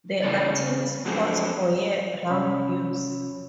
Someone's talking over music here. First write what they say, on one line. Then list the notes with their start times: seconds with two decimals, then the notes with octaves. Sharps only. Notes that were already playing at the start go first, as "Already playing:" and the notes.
There are tennis courts for year-round use.
0.22 A2 C#3 E3 D5
0.51 C#3
1.05 F2 F#3 G#3 C4
2.31 C3 C#4 C#5 B5 E6